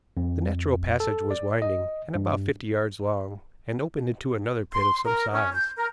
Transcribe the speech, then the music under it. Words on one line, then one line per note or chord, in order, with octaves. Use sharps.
The natural passage was winding, and about fifty yards long, and opened into another pit of some size.
F2
A4
D5
D#5
G2
C6
A#4
C#4
G6
A#4